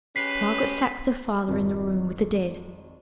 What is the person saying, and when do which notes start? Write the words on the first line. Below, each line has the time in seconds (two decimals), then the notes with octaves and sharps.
Margaret sate with her father in the room with the dead.
0.16 G#3 C#4 G4 B4 B6 C7
1.48 G#1 F2